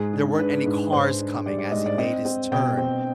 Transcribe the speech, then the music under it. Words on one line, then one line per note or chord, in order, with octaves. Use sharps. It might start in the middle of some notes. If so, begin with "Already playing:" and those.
there weren't any cars coming as he made his turn-
Already playing: G#2 G#4
D4
D4 B4
G#2
G#2 C5
D4
G3 D5
D5
G#2 D#5
D5
C4 D#5
C4
B2 G5
C4